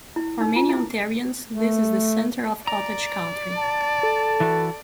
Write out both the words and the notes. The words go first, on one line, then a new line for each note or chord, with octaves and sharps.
For many Ontarians, this is the centre of cottage country.
E4
D#4
F4
E4
A3
D5 A#5
A5
A4
E3 E4 F#4